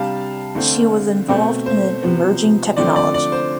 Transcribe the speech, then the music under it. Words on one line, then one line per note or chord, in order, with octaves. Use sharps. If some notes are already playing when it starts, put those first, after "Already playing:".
She was involved in an emerging technology.
Already playing: C3 G3 D4 F5 A5
D3 A3 C4
B2 A3 C4
C5
C3 F3 B3
D3 F3 A3 C4 D5
D5
D5
C5